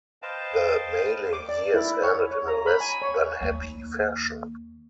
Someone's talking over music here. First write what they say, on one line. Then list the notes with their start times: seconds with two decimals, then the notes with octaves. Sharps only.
The Maley years ended in a less than happy fashion.
0.22 B4 C5 D#5 F5 G5 A5
1.33 D6
1.49 D5
1.74 E4
2.02 C#5
2.31 C#5
2.48 A#5
2.66 B5
2.80 G#5
3.02 C#5
3.41 D#2 A#3